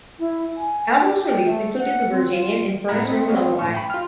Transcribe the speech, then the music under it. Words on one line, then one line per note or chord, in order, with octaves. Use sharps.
Albums released included "The Virginian" and "Furnace Room Lullaby".
E4
G#5
D4
G4
A3
F#5
C4
F4
A2 E5 F#5 A#5 B5 G#6
C4 D#5
B3 C4 F#4 C#5 D#5 F5
A2 C#4 C#6
G5 B5
F4 F6